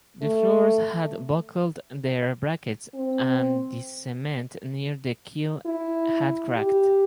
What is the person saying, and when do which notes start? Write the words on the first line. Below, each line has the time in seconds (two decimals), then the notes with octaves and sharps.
The floors had buckled their brackets and the cement near the keel had cracked.
0.22 A3
2.95 C4
5.66 E4
6.57 G4